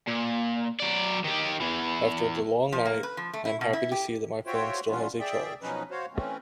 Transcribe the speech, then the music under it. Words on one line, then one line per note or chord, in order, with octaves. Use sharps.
After the long night, I am happy to see that my phone still has a charge.
A#2
F#3 D5
D#3 G4
E2 E3
F3
A#3
B4
F3
A3
E4
B2
E4
G4
F4 F#4 C5 C#5 E5 G5
E3 G3 B3 C#4 D4 F4
G#4 D5 E5 G5
B2 F3 F#3 C#4 D#4 B4
F#4 C5 C#5 F5
E3 A3 C4 C#4